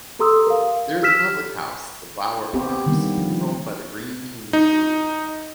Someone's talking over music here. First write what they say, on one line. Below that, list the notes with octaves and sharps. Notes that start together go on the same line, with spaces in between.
There is a public house, the Bowyer Arms, controlled by Greene King Brewery.
G4 A4 A#5 C6 D#6 E6
A#4 F5
G4 E6 F6 B6 E7
B3 C4 G4
D3 D#3 G3 A#3 B3
F3
D#4